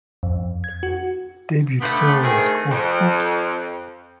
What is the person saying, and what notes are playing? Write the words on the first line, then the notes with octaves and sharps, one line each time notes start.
Debut sales of Oops!...
F2
G#6
F#4
D3 A3 B3 F4 G4 B4
D#3 A3 C4 G#4
F2